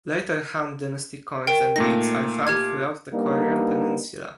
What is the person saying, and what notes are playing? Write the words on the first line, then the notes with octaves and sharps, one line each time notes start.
Later Han dynasty coins and beads are found throughout the Korean peninsula.
A#4 G5
A#2 A3 D#4 A#6
G4 F6 G#6
G3 A#3 B3 D4 D#4